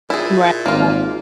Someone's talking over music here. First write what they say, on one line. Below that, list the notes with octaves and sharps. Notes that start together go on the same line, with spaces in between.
Right, yeah.
A#2 E4 G#4
G#1 A#3 F4